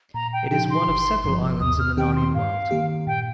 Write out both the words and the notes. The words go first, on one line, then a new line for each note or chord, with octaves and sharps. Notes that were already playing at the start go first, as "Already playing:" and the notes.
It is one of several lands in the Narnian world.
A#2 A#5
G5
F3 D#4 G4 G5
C6
G1
G2 F3
D#2 D#6
F6
D#3 C4 G4 G5
C6
G2 F5
D#3 A#3 G4
A#2 G5